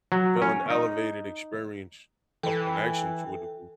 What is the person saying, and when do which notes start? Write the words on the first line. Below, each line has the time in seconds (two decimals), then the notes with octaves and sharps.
feel an elevated experience of connection to a degree.
0.12 F#3
0.42 C#4
0.70 D#4
2.43 E3 A4 G5